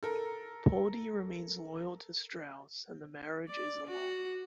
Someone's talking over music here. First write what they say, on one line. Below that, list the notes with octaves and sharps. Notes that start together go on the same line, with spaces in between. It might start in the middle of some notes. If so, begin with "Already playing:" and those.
Poldi remains loyal to Strauss and the marriage is a long one.
A4 A#4
D5
F#4